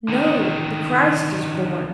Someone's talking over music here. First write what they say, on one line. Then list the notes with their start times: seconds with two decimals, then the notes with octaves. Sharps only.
"No, the Christ is born."
0.08 D3 D#3